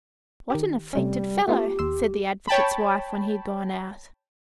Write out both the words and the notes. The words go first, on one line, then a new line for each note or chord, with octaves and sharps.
"What an affected fellow!" said the advocate's wife, when he had gone out.
D#3 G4
C3 G3 A3 C#4
A3 B3 F4 G4
D#2 C6 E6
C#5 G5 A5 B5